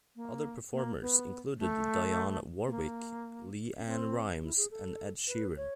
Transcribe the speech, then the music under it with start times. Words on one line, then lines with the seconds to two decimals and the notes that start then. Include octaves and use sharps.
Other performers included Dionne Warwick, LeAnn Rimes and Ed Sheeran.
0.16 A#3
0.72 A#3
1.01 B3
1.59 A3
2.67 B3
2.71 A#3
3.77 C#4
3.86 C4
4.42 E4
4.57 G#4
4.71 A4
5.28 B4
5.57 C#5